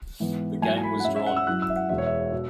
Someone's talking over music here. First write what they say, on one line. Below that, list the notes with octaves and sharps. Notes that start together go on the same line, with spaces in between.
The game was drawn.
G#2 E3 B3
G#2 F#3 E4 G#5
G#5
B5
F#5
G#2 G#3 C#4 E5
E5
F#5
E6
F#2 F#3 E4 F#6
E6
E5
F#5
E1 E2 B2 E5
C#5
E5
B2